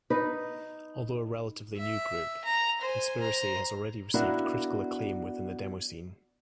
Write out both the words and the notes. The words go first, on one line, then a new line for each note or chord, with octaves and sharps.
Although a relatively new group, Conspiracy has already received critical acclaim within the demoscene.
D#4 B4
E5
A#5
C5 G#5
C5 A#5
B3 D4 E4 F#4 A#4 F5